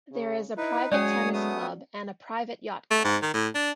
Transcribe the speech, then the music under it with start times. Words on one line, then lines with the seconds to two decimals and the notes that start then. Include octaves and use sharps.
There is a private tennis club and a private yacht club.
0.12 C#3
0.57 D#4 E4 B4
0.92 F#3 G#3 C#4 G#4 C#5 D5 G#5 D#6
1.33 A3 B3 D#6
2.91 A3
3.04 G#2
3.22 D#3
3.34 A2
3.55 D4